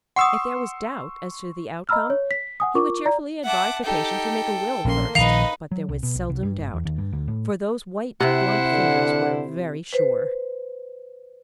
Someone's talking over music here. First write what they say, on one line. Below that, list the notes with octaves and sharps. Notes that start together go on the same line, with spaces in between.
If there was doubt as to the outcome, he would cheerfully advise the patient to make a will first, but there was seldom doubt, for those white, blunt fingers were very sure.
F#5 C6 C#6 D#6 E6
D#5 A#5 B5 E6 F6
C#5
B6
F#5 G#5 D#6
F4 A#4 C#6 D6
D5 A#5
E5 F#5 A5 D6
D#4 G4 A4 G5
A#1 A#3 C#4 C6
A#1 D#3 D#4 B4 D#5 F5 F7
F#3
C2
B2
B1
C2
G2
G1
E2
D#2
G2
D2
A2
C3 E4 C5 F#5
D3
B4 C5